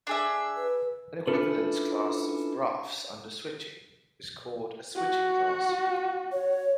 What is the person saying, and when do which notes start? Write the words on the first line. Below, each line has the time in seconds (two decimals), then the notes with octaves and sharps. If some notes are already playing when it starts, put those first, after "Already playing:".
An equivalence class of graphs under switching is called a switching class.
0.07 D4 G#4 E5
0.57 B4
1.27 C#4 D4 E4 F4 A4 B4
4.96 F#4
6.32 C#5